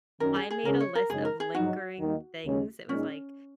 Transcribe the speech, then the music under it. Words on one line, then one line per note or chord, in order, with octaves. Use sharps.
I made a list of lingering things it was, like,
F#2 D#3 F#3 C#4 A#4
G#4
G#4
C#3 G#3 C#4 A#4
C#5
A#4
F#2 C#3 G#3 D#4 G#4
A#4
G#4
G#2 F#3 D#4 F#4
D#2 D#3 A#3 D#4
D#2 C#3 G#3 C#4
A#2 G#3 C#4 D#4